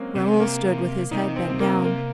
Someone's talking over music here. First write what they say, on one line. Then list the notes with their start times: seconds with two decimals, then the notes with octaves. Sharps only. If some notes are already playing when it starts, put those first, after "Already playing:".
Raoul stood with his head bent down.
Already playing: F#3 G#3 A#3 C4 C#4
0.15 C3
0.40 A#3
1.11 C3 D#4
1.36 C4
1.50 C4
1.60 A#3
1.84 A#3